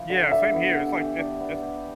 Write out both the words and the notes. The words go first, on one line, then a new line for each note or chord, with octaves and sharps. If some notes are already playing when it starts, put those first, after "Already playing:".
Yeah, same here. It's like it's it's
Already playing: F3 E4
D3
D4 E5
B3
G4
E3
D4
B3
G4